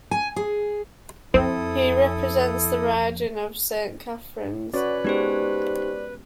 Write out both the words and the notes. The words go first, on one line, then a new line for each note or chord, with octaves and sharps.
He represents the riding of Saint Catharines.
G#5
G#4
F2 C4 E4 A4 D#6
C#4 F#4 B4 C#5 D5
G#3 B3 C#4 D#4 G4 C5